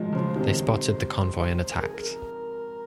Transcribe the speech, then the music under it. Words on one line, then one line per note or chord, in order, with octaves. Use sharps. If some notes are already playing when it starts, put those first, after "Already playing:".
They spotted the convoy and attacked.
Already playing: D#3 F3 F#3 G#3
C#3 F3 C5
C3 D#3 C5
A#4
G#4
A#4